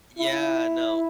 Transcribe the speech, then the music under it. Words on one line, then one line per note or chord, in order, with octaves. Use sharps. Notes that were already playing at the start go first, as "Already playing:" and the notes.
Yeah. No.
E4